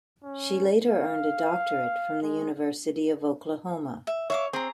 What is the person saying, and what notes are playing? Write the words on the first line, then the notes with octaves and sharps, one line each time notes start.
She later earned a doctorate from the University of Oklahoma.
C#4
F5
G#3
E5
C#5 E5 F5 D6
C4 G#4 A#5